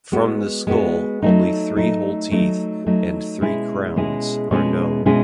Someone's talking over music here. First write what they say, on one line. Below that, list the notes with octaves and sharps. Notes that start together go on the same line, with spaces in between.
From the skull, only three whole teeth and three crowns are known.
G#3 B3 F#4
G#3 B3 F#4
F#3 A3 D#4
F#3 A3 D#4
F#3 A3 D#4
F#3 A3 D#4
B2 G#3 C#4 E4 G#4
B2 G#3 C#4 E4 G#4
B2 G#3 C#4 E4 G#4
B2 G#3 C#4 E4 G#4